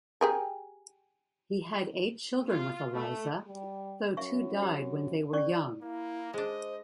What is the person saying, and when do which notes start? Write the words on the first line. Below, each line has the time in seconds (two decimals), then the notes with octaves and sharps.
He had eight children with Eliza, though two died when they were young.
0.21 G4 G#4 A#4
2.48 F4
2.95 A3
3.47 G3
4.17 F#2 E5 C#6
4.62 G4
5.33 C#4 D5 C#6
5.82 A#3 E4
6.34 G#3 D4 C5 D#5